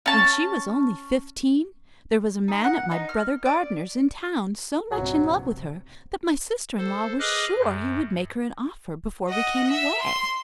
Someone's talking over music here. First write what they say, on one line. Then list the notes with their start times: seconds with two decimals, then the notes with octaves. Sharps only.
When she was only fifteen, there was a man at my brother Gardiner's in town so much in love with her that my sister-in-law was sure he would make her an offer before we came away.
0.06 C#4 A5
2.48 D#4
2.64 F#5
2.91 D#4
3.09 F6
3.46 D5
4.91 A#1 G2 C3 F#3
6.77 A4 C5
7.19 G#4 B4 D#5 D6 F6 F#6
7.58 F#2
9.29 D#5 F#5
9.70 E5
10.02 C6